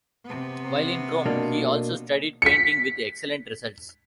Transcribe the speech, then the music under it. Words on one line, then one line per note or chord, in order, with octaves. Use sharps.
While in Rome he also studied painting with excellent results.
C3 B3
B2 A#3 D4
B6 C#7